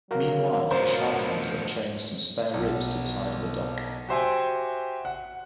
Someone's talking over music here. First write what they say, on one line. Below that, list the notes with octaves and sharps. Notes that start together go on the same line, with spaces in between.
Meanwhile, a shark hunter chains some spare ribs to the side of a dock.
F#3 F#4 A#4 F5
D2 F3 C5
B1
F#4 G4 C5 E5 G5 G#5
F#5